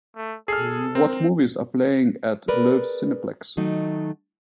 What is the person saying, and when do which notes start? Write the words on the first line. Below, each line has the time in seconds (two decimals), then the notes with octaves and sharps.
What movies are playing at Loews Cineplex?
0.16 A3
0.48 G#4 A4 F6 C7
0.95 C4 A#4
2.48 G#4 A#4 B4 D5
3.57 D#3 F#3 A3 D#4